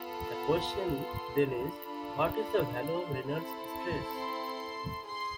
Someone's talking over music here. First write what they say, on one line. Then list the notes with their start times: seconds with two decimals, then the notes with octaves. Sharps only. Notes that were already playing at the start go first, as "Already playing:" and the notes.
The question then is, what is the value of the Reynolds stress?
Already playing: B3 F4 A4 B5
1.03 C6
1.47 D4 F4 A4 B5
2.37 B5
2.82 C6
3.27 C4 E4 A4 B5
3.72 A5
4.17 C6
5.06 G#4 C6